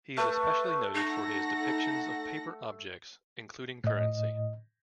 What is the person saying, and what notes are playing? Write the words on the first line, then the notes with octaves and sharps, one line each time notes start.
He is especially noted for his depictions of paper objects, including currency.
A3 B4
D#4 A4 F#5 A#6
A2 D#5